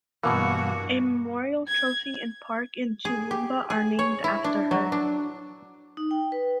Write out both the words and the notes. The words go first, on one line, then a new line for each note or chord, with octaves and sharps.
A memorial trophy and park in Toowoomba are named after her.
G2 B2 E3 A#3 F#4
G#6
G#4
G4
G#4
C#5
E4
D4
F#3
D4
D#4
G5
B4